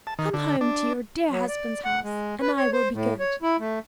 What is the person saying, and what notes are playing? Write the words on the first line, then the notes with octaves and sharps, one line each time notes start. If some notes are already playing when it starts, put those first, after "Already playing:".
"Come home to your dear husband's house, and I will be good."
A5
D#3
D3
D4
F#3
D5
F#5
G#3
B4
C#5
C5
A2
C#5
E4
A3